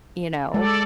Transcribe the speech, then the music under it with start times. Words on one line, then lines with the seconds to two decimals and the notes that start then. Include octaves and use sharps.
You know?
0.54 G#3 A4 D5